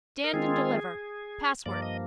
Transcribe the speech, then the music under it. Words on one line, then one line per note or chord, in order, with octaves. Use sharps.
Stand and deliver. Password.
A#4
D#3 G#3 C4 F4 G#4
G2 F3 A#3 D5
D#5